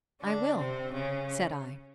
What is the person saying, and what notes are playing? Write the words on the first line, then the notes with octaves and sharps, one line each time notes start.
"I will," said I.
D3 D4
C3 C4
C#3 C#4